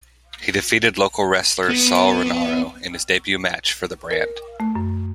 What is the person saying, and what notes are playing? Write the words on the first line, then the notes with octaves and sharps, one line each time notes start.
He defeated local wrestler Sal Rinauro in his debut match for the brand.
B3
A#4
A3
F#2